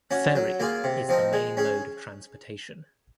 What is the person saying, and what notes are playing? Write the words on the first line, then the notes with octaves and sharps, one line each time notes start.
Ferry is the main mode of transportation.
C#4 F#4
F#3
A#3 F4 G#4
C3
F3 C4 D#4
G#3
C#4 G#4